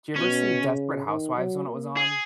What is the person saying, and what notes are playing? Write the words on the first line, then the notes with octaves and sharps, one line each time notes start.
Do you ever see Desperate Housewives when it was on?
B2 C#4
C#3
D#3
F#3
A#3
G#4